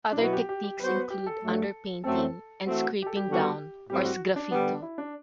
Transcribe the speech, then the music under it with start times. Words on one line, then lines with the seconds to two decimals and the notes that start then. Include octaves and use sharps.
Other techniques include "underpainting" and "scraping down" or sgraffito.
0.12 D4
0.17 B2 F#3 B3 E4 F#4 B4
0.33 G4
0.49 G4
0.64 G4
0.80 F#3 B3 F#4 B4 C5
0.95 B4
1.10 G4
1.26 A4
1.41 G2 F#3 A3
2.04 F#2 F#3 A3 C4 A4
2.65 E3 A3 C4 F#4
3.02 G4
3.06 A4
3.17 G4
3.27 D3 G3 B3 F#4 A4
3.90 A2 G3 C4 G4
4.05 F#4
4.36 D4
4.52 D3 G3 B3
4.82 E4
4.98 D4